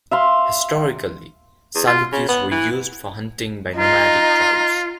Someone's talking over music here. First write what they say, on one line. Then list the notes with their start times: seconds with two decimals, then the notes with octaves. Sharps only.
Historically, Salukis were used for hunting by nomadic tribes.
0.11 E5 F5 C6
1.75 E2
1.87 F4
2.12 C#3
2.28 B3
2.51 E3
3.77 D#4 F4